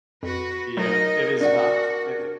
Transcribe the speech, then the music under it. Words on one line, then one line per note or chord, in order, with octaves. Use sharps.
Yeah, it is not. I It
F2 F#4 B4
B2 F#3 A3 D#4 A#4 D#5
D4 F#4 D5 F#5